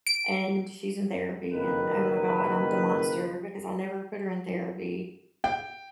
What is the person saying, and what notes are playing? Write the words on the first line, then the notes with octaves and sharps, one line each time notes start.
and she's in therapy, and, oh my god, I'm the monster because I never put her in therapy.
D7
F#1 D#3 B4
G5